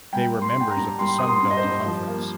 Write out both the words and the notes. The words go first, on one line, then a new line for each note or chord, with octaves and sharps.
They were members of the Sun Belt Conference.
G3 G5
A#3
C6
G2
G5
A#5
G2
G3 C6
A#3 D#6
C6
G2
D#5
C5
G2
F3
A#3